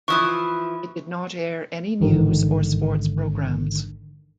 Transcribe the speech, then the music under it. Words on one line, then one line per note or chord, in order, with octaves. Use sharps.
It did not air any news or sports programs.
E3 F3 E4 C#6 D#6
A1 G#2 D3 D#3